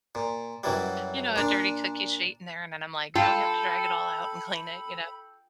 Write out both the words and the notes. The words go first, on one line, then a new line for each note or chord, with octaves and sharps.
you know, a dirty cookie sheet in there, and then I'm like, "Now we have to drag it all out and clean it," you know?
A#2
F#2 E3 F#3 G3
A#2 D4
F4 A4 G5 B5